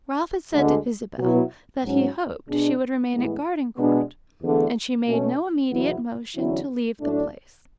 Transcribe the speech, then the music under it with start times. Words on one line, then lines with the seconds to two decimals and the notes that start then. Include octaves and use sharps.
Ralph had said to Isabel that he hoped she would remain at Gardencourt, and she made no immediate motion to leave the place.
0.53 D2 D3 G#3
1.18 B2 F#3 B3 E4
1.83 G#2 F#3 C#4
2.48 B2 G#3 D4
3.12 A2 E3 G#3 B3
3.78 B2 G#3 B3 D4
4.42 E2 D3 A3
5.07 B2 A3 C#4
5.71 E2 B2 F#3 B3 E4
6.35 E2 D3 F#3 C#4 E4
7.00 A2 F#3 A3 D4